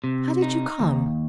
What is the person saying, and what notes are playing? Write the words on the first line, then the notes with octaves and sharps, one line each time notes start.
How did you come?
C3
D#4
D#2